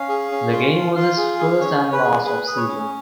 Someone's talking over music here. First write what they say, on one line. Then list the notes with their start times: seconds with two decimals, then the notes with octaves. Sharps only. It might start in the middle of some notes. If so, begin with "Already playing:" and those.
The game was his first and last of season.
Already playing: C#4 F5
0.09 G#4
0.32 C#4
0.53 F4
0.74 F4
0.95 F4 F5
1.17 G#4
1.39 G#4
1.60 C#4 C#5
1.82 C#4
1.92 B4
2.04 G#4
2.25 G#4 B4
2.47 G#4
2.57 C#5
2.68 C#4